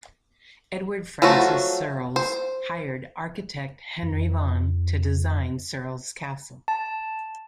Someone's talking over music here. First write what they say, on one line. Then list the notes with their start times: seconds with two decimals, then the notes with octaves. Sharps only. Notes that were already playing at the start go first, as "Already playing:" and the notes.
Edward Francis Searles hired architect Henry Vaughan to design Searles Castle.
1.22 F3 F#3 A3 F4 F#4
2.16 C5
4.02 F2
6.68 A5